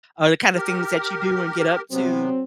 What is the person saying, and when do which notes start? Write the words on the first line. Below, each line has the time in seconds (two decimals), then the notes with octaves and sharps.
or the, kinda, things that you do and get up to,
0.55 G4 A#4
1.92 C3 F#3 B3 C4